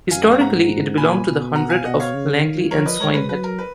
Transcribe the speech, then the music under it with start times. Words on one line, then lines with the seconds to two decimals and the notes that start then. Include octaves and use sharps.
Historically it belonged to the Hundred of Langley and Swinehead.
0.11 F#2 F5 G#5
0.21 D#5 F#5
0.31 C#5 F5
0.40 G#2 F#5 A#5
0.97 A#2 G#5 B5
1.27 B2
1.55 F#5 A#5
1.70 F5 G#5
1.84 B2 D#5 F#5
2.00 C#5 F5
2.14 C#3
2.43 D#3
2.71 F3 A#4 C#5
2.86 B4 D#5
3.00 G#3 A#4 C#5
3.14 B4
3.29 F#3 B4
3.44 A#4
3.59 B4